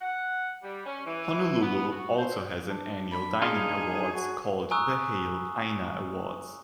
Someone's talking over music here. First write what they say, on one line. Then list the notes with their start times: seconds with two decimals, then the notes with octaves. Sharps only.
"Honolulu" also has an annual dining awards called the Hale Aina Awards.
0.02 F#5
0.63 G3
0.86 C#4
1.06 E3
1.61 B3
1.91 F#4
2.18 C5
2.69 D4
3.11 B5
3.42 D#4 G#4 F5 C6
4.12 F#4
4.71 G#5 A#5 C#6 D#6 E6 F#6